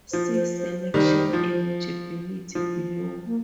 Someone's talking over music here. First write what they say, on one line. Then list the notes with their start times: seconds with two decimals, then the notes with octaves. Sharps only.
See "Selection eligibility" below.
0.12 F3 C5
0.35 C5
0.57 C5
0.80 C5
0.94 D#3 G3
1.02 C5
1.25 C5
1.33 F3
2.55 F3
3.26 A#3